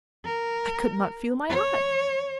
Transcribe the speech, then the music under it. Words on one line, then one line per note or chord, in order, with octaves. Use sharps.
I could not feel my heart.
A#4
C#5